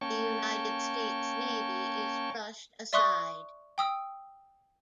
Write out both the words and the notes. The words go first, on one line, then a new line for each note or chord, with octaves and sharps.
The United States Navy is brushed aside.
A#3 C#4 C#5 G5 A5 C#6
D5 E5 C6 C#6 D#6 F#6
G5 D#6 E6